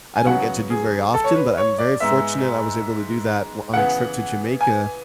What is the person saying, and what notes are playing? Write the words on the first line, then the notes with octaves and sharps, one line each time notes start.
I don't get to do very often, but I'm very fortunate I was able to do that w on a trip to Jamaica,
G#5
F#2 C#3 F#3 B3 F#5
G#4
A4
C#5
B4
C#5
D5
G#2 G#3 B3 E5
C#3 E3 B3 F#5
G#5